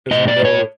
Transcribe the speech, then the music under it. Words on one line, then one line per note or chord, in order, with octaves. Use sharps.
'cause it can go
A2 D#5
D5
A2
C#5